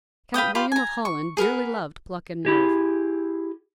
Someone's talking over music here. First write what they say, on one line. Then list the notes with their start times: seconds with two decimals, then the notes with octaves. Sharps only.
Count William of Holland dearly loved pluck and nerve.
0.34 B4 F5 G5 D#6
0.55 F4 G4 B5 C6
0.72 G#5 A#5
1.05 C#6
1.37 G#4 A#4 B4 F#5
2.45 E4 G4 G#4